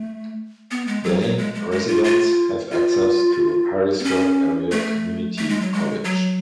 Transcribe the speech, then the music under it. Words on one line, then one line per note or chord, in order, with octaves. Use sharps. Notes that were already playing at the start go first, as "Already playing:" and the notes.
Blain residents have access to Harrisburg Area Community College.
Already playing: A3
B3
G#3
F#3
F#3
G#3
G#3
G#3
F4
F4
F4
B3
C#4
A3
A3
G#3
F#3
G#3
F#3